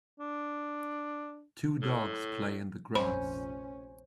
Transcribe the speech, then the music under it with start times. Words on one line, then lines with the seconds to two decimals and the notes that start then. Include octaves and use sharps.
Two dogs play in the grass.
0.20 D4
1.82 A2
2.95 F1 A#1 C#4 C5 B5